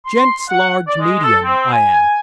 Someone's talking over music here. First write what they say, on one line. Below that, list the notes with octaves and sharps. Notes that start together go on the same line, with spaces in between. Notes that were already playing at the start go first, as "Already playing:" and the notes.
"Gents' large medium, I am."
C6
F#5
D5
G#3
A4
C4
G#5